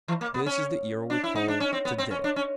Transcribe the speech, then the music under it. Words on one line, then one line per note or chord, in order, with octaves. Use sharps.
This is the era we call "to-day."
E3
A#3
B3
C#4
D4
E4
D#4
D4
C#4
C4
B3
C4
C#4
D4
C#4